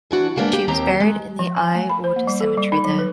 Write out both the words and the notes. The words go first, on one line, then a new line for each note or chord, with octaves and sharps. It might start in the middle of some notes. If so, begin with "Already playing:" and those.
She was buried in the Al Oud cemetery there.
E3 D4 F#4
G3 G#3 A#3 B3 C#4 D4
G4
D#2 C4 G4 A#5
G#3
F3
G#5
A3
B5
C5
A#3
G3
A4
G3
D#4
F#3
B4